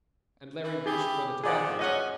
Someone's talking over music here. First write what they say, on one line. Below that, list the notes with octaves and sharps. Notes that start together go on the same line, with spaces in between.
And Larry reached for the tobacco jar.
E3
E4 G4 G#4
D#3 F3 G#4 D5 F#5
F#2 C#4 D#5 F#5